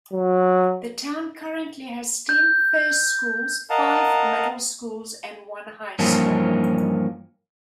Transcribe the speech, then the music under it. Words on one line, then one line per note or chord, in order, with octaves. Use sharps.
The town currently has ten first schools, five middle schools and one high school.
F#3
G6
A#4 D#5 F5 F#5 A5 A#5
G2 E3 F3 A#3 C#4